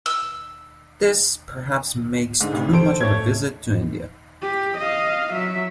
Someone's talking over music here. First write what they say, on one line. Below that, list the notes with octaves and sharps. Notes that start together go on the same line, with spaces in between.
This perhaps makes too much of a visit to India.
E6
G#2 D3
A1 D2 C3
A4 C5 D7
A3 C#5 G#6
G4
D#5 F5
F#3 E5